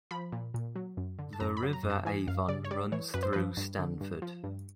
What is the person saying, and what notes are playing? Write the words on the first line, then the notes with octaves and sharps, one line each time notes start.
The river Avon runs through Stanford.
F3 B5
A#2
A#2
F#3
F#2
D3
A5
F#2 A#5
B5
F#3
A#5
F#2
A5
E3 G#5
F#2 F5
C#3 D5
C#5
G3 D5
E3 C#5
F#2 B4
C5
F3 B4
G2
D3
G2
F3
G2